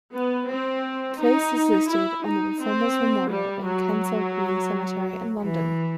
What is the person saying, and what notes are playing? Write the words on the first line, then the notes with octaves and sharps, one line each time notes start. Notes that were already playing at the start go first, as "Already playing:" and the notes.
Place is listed on the Reformers Memorial in Kensal Green Cemetery in London.
B3
C4
D#4
E4
D#4
C4
G3
F#3
E3